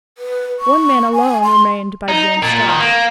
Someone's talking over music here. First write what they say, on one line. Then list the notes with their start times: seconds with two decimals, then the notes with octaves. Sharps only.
One man alone remained by James Starr.
0.18 B4
0.59 C#6
1.13 G#5
1.44 C6
2.08 D#4
2.42 A#2
2.68 D#3
2.80 A#3